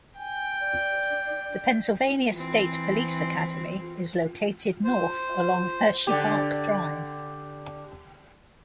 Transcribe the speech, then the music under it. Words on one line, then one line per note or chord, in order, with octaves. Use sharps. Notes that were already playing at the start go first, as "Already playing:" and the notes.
The Pennsylvania State Police Academy is located north along Hersheypark Drive.
G5 G#5
D5
E3 C4
C5
D3 G4